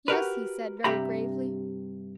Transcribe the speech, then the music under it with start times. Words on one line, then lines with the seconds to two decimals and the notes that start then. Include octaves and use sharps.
"Yes," he said, very gravely.
0.08 F#4 G4 A#4 B4
0.84 G2 C3 G4 E5 A#5 B5